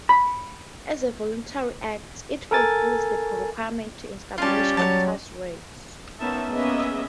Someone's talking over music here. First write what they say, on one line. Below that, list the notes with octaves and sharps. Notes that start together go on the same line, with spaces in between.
As a voluntary act, it fulfills the requirements to establish "actus reus".
B5
A4 A#4 G#5 A6
G3 C#4 F4 G4 A5
F#3 C#5 D#5 A5
A#3 B3 C#4 D#4 E5 A5
A#3 B3 C#4 G#4 D#5 E5